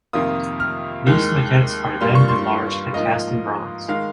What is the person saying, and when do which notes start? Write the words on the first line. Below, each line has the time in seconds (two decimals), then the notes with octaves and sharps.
These maquettes are then enlarged and cast in bronze.
0.13 F2 C3 D#3 A#3 F4 D#6
0.60 F6
1.07 D#2 D#3 G#3
2.01 G2 G3 A#3 F4 C6
2.15 C#6
2.28 C6
2.94 G#2 F3 A#3 F4 D#5
3.88 D#3 G#3 F5